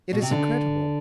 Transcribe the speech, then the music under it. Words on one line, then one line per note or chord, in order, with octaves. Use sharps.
It is incredible!
B2
C3
D3